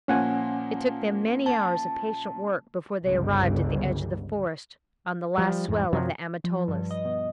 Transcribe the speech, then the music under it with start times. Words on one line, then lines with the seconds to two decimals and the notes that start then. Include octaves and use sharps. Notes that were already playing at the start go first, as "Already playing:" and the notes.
It took them many hours of patient work before they arrived at the edge of the forest on the last swell of the Amatolas.
0.08 A#2 F3 A#3 C#4 F#5 G#5
1.46 A5
3.05 G1 C#2
5.38 F3 G3
5.68 E2 G#2
5.93 F#2 C3 F3 F#3
6.44 F3
6.68 G2
6.91 D#5
7.05 B2